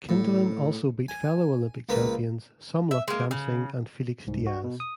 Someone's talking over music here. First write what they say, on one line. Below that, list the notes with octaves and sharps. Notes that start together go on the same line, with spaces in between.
Kindelan also beat fellow Olympic champions Somluck Kamsing and Felix Diaz.
A2
G#5
C#2 A#3 B4
E5
G#3 A#3
C#3
C2 G#2
F#4
B2
D#6